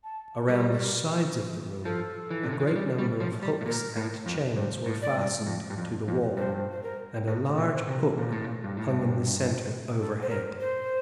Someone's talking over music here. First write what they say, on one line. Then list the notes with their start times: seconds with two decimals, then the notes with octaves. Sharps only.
Around the sides of the room, a great number of hooks and chains were fastened to the wall, and a large hook hung in the center overhead.
0.04 A5
0.49 G3 A#4
1.85 F3 A4
2.30 E3
2.43 C3
2.52 D3
2.60 E3
2.67 F3
2.76 G3
2.98 G3
3.20 F3
3.43 G3
3.61 A2
3.66 A#2 A#4
3.97 A2
4.26 F2
4.56 G2 C5
4.86 A2
5.02 D5
5.17 G2
5.46 F2
5.70 G2
5.78 F2
6.08 F2
6.37 G2 C5
6.71 C5
6.83 A#4
7.28 A2 A#4
7.51 A4
7.58 A#2
7.74 C5
7.88 C3
7.96 A#4
8.18 A#2
8.32 A2
8.45 A#2
8.64 G2
8.77 A2
8.90 G2
10.00 A4
10.22 C5
10.30 A#4
10.60 C5